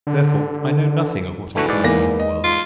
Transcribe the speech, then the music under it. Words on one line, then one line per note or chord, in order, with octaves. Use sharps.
Therefore, I know nothing of what is passing in the world.
D3
D3 E3 A3 F#4
G#2 D5
E2 A#3 A#6
D#5
F4